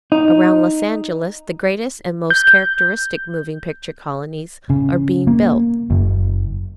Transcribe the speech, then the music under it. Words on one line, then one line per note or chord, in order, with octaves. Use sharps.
Around Los Angeles the greatest and most characteristic moving picture colonies are being built.
D#4
G6
C#3
A#3
F#1